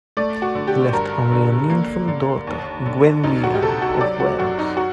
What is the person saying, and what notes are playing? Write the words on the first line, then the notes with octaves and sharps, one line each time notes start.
He left only an infant daughter, Gwenllian of Wales.
A3 D5
F#4
D3
G4
G2 A#4
D3
A#3
D3
D#2
D3
D2 D#4
F#4
G4
C3 A4
F#4
F#3 D5
F#4
F#2 F#4
D#4
F#4